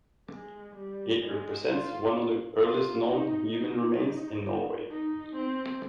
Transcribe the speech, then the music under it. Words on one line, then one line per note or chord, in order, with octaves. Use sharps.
It represents one of the earliest known human remains in Norway.
G#3
G3
G#3
F4
F4
D#4
D#4
D#4
C4